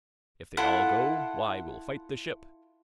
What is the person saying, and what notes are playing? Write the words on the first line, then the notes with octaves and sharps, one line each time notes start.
If they all go, why we'll fight the ship.
E4 F4 A4 F#5